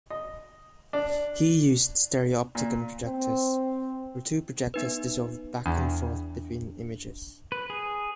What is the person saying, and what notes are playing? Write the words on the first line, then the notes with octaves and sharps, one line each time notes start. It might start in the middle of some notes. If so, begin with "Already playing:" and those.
He used stereopticon projectors, where two projectors dissolved back and forth between images.
D#5
D4
A#2
C4
B3 D#4 B4
E2 D4
B4
G#4